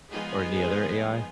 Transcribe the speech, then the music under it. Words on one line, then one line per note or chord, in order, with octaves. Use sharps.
or any other AI?
F3 G#3 B3 D#4 F4 G#4